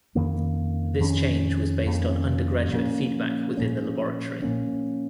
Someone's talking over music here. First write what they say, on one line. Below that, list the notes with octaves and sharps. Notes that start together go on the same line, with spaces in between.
This change was based on undergraduate feedback within the laboratory.
F2 D#3 A#3 C#4
F2 D#3 A#3 C#4
F2 D#3 A#3 C#4
A#2 F3 A#3 C#4
A#2 F3 A#3 C#4
A#2 F3 A#3 C#4